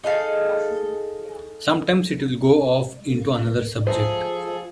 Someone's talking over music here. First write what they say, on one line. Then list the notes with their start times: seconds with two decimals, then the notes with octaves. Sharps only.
Sometimes it’ll go off into another subject.
0.04 D#4 G#4 A4 F5
3.87 F3 G#4 A4 C5 E5 A#5